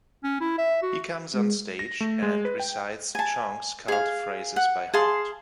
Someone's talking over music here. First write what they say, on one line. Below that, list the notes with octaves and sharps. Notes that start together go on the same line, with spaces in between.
He comes on stage and recites Chong's cult phrases by heart.
C#4
E4
E5
F#4
G#3
A#6
A3
G#3
B4
G5
G#5 A5
G#4 F5
F#5
G#4 F5 A5 C6